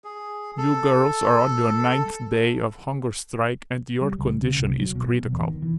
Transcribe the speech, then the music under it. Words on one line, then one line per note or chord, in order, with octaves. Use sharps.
You girls are on your ninth day of hunger strike and your condition is critical.
G#4
A4
G3
C#2
C#3
C2
F#3
B2
E2
D#3
E3